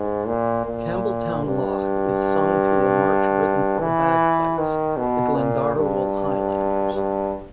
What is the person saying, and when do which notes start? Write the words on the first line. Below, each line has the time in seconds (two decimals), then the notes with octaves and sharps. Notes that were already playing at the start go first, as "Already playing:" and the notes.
Campbeltown Loch is sung to a march written for the bagpipes, "The Glendaruel Highlanders".
Already playing: G#2
0.27 A#2
0.66 A#2
1.44 G2
3.80 E3
4.58 D#3
4.97 B2
5.36 A#2
5.76 G2
6.93 G2